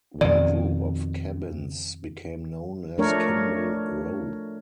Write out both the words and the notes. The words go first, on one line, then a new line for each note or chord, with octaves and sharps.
One group of cabins became known as Kimball Row.
F2 B2 D#3 D5
F3 A3 D4 A#4 C#5